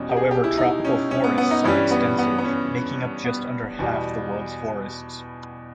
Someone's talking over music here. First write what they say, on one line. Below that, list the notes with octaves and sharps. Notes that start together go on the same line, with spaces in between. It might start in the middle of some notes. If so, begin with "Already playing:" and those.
However Tropical Forests are extensive, making up just under half the world's forests.
Already playing: E2 B2 G3 C#4
G4
G#4
G4
E4
D#4
C#4
C#4
B3
B3
D#4
G2 E3 G3 C#4
B3
B3
B3
C#4
B3
E2 B2 G3